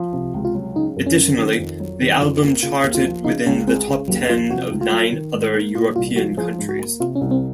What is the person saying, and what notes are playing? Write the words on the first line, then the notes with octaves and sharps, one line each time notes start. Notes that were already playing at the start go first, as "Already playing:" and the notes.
Additionally, the album charted within the top ten of nine other European countries.
Already playing: F3
C3
C#2
F4
F#3
C#3 D#4
F#2
C#4
F#3
D#3
F2
F#3
D#3
F2
A#3
C#3 F4
D#2
F4
F3
C#3 D#4
C#2 C#4
G#3 C4
C#3
D#2 F#3
F3 F4
C3 F#4
C#2
F4
F#3
D#3
G#2
A#3
A#2 F4
C2 F4
F3 F#4
F3 G#4
G#2
F#4
A#3
C3 F4
C#4
C2
C4